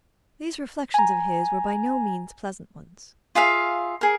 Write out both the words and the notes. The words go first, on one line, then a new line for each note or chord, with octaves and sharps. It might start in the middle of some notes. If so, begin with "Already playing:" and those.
These reflections of his were by no means pleasant ones.
G#5 A#5
F4 G#4 E5 F5
G#4 A#4